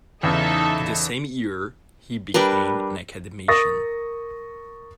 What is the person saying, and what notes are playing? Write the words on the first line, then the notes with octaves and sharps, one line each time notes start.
In the same year he became an Academician.
E2 C#3 D#4 A4 E5
G3 D4 A#4 B4
A#4 C#6 D#6 A6 A#6